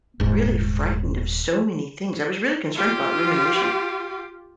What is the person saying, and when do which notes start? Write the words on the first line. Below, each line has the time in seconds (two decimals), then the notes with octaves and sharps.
really frightened of so many things, I was really concerned about rumination
0.20 D#1 G#2
2.75 F4 G4